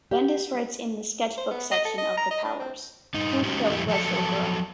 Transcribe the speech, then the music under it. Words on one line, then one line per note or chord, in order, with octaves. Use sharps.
Bendis writes in the 'Sketchbook' section of the Powers: Who Killed Retro Girl?
G4
C5
B3
D#5
A4
D#5
A#5
D#5
D4
C4
G2 D#4
G#3 C#4 D#4 F#4 G4
F2 E4 G4
F3 F#3 A4 A5